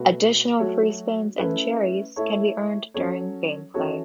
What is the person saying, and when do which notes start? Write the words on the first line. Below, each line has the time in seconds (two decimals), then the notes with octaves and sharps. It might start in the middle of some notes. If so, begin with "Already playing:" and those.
Additional Free Spins and cherries can be earned during gameplay.
Already playing: B2 A3 F#4 B4
0.59 F#3 A3 F#4 C#5
1.38 A3 C#4 E4 B4
2.16 A3 E4 A4 C#5
2.94 F#3 C#4 A4 C#5
3.74 E3 C#4 F#4 A4 C#5